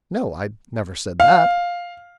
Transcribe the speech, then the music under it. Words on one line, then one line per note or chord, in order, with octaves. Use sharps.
"No, I never said that."
F5